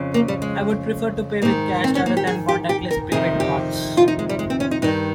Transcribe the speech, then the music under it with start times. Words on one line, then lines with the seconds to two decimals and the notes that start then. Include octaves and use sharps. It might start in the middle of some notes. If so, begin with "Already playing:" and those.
I would prefer to pay with cash rather than contactless prepaid cards.
Already playing: F2 C#3
0.14 A#3
0.28 G3
0.42 G#3
1.42 G#2 A#3
1.45 D#3
1.84 C4
1.95 C#4
2.06 A#3
2.17 G4
2.27 G#4
2.48 G4
2.69 G4
2.91 A#4
3.12 F2 C3 D#3 G#4
3.40 G4
3.97 F4
4.08 D#4
4.19 G#3
4.29 G3
4.39 G#3
4.50 C4
4.60 C#4
4.71 D#4
4.82 G2 D#3 D#4